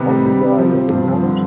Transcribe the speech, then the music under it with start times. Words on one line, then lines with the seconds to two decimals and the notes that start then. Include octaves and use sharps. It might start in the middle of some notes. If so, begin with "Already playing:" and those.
On their wedding night?
Already playing: C3 D#3 B3
0.09 G3
0.26 G3
0.42 C3
0.58 F3
0.75 F3
0.90 G2
1.07 F3
1.23 D3